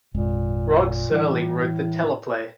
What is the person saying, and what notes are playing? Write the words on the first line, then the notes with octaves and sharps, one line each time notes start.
Rod Serling wrote the teleplay.
G#1 F2 A#2 G#3
A2 E3 G3